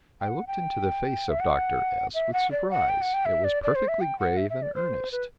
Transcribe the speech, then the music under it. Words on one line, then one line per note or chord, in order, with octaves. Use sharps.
I looked into the face of Dr. S-- with surprise; it was perfectly grave and earnest.
G5
F#5
G5
E5
F#5
E5
F#5
D5
F#5
G5
F#5
G5
E5
D5
D5
C5
E5
G5
F#5
E5
E5
D5
C5
B4